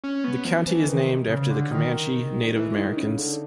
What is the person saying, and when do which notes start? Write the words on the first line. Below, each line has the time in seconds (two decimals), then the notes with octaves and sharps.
The county is named after the Comanche Native Americans.
0.04 C#4
0.24 B3
0.45 F3
0.67 E3
0.88 D#3
1.29 C#3
1.50 D3
1.71 D#3
2.56 E3
2.76 D#3
2.97 C#3
3.18 D3